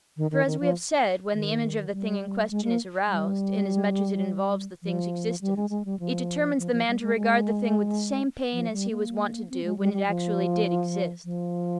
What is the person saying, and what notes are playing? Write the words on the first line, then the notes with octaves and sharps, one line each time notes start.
For, as we have said, when the image of the thing in question, is aroused, inasmuch as it involves the thing's existence, it determines the man to regard the thing with the same pain as he was wont to do, when it actually did exist.
D#3
D#3
D#3
F3
D#3
G3
G#3
A#3
G3
F3
G3
G#3
G#3
G3
F3
F3
F3
G3
G#3
G#3
F3
G3
A#3
C4
G#3
G3
G3
F3
F3